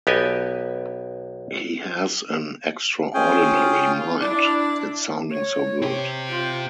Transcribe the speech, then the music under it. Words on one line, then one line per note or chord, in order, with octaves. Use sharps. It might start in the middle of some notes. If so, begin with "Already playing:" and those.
He has an extraordinary mind - it's sounding so good.
B1 B3 G4 A4 D#5 G#5
C#4 F4 G#4 G5
D4 E4 D5
C#5
C4 G4
F4 G5